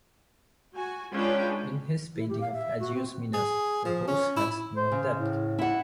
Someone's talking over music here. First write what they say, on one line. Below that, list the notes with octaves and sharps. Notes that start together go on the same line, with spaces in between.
In his painting of Agios Minas the horse has more depth.
F#4 G#5
G#3 C#4 D4 F4 B4 G5
E4
G4
F5
E5
F#4
C4
G#4
F3
C#4
E4
C5
C#3
A2
E4 F#5